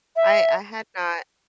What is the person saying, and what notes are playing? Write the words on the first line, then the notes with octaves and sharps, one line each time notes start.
I I had not
E5